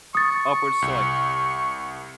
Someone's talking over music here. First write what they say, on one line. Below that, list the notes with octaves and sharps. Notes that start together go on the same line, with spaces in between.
upwards to, like,
C#6 D#6 A6
C2